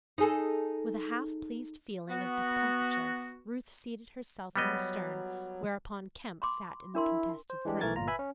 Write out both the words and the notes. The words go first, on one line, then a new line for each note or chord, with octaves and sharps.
With a half-pleased feeling of discomfiture Ruth seated herself in the stern, whereupon Kemp sat in the contested throne.
D#4 G#4 A4
B3 F#4
F#3 G3 B3 D#5
B5 C6 D6
D4 E4 A#4 C6
C5
E3 G#3 D4 G4
B1 E3 A3 A#4 G#6 A6
G1 A#2 F4 A#5
B4 E5 G#5 B5
C#4